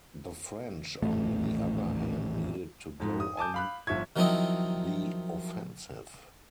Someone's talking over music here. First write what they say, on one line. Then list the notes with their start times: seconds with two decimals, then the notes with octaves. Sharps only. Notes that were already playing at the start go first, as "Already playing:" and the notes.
The French on the other hand needed to go on the offensive.
1.02 D#1 A1 A3
3.00 F2 G#2
3.20 D#6
3.37 G#5 A5 D6 G6
3.54 F5 B5 F#6
3.87 G1 F3 E5 C#6 G#6
4.16 D#3 F3 F#3 C4 E4 D#5